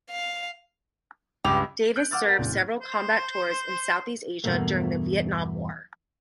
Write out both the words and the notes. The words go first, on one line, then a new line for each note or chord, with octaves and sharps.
Davis served several combat tours in Southeast Asia during the Vietnam War.
F5
C#2 G2 G4 F7
F#6 G6 D7
F5 F#5 D6 E6 F6 A6
A#4 D5 F#5
F1 C#2 A#2
A2
C5
E2 G2 B2 A3 A#3